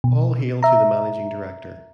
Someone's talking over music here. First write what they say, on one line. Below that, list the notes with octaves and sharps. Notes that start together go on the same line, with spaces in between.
All hail to the managing director!
B2
E5 A#5